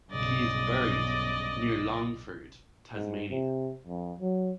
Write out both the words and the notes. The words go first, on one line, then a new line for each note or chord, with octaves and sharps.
He is buried near Longford, Tasmania.
B1 G2 C#3 D5 D#5
G#2
C3
F2
F#3